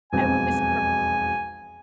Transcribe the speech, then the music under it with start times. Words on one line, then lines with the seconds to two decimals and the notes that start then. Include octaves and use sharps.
I was prep
0.13 E1 B1 F2 G#5